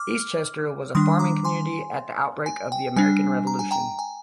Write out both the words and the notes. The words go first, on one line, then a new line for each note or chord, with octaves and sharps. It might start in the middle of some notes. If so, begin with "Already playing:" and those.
Eastchester was a farming community at the outbreak of the American Revolution.
Already playing: D6 F6
D#3 G3 D4 C6 D#6
A#5 D6
G#5 C6
G#5
G5
G3 D4 G#5
A#5
G#5
G5 A#5
G#5